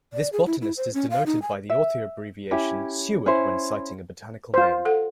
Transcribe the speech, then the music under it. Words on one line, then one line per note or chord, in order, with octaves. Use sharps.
This botanist is denoted by the author abbreviation Seward when citing a botanical name.
D5
G#4
E4
E4
C5
C#4
F5
D#4
G#5
E5
C#4 E4 G4
C#4 E4 C5
F4 C5
A4 F#5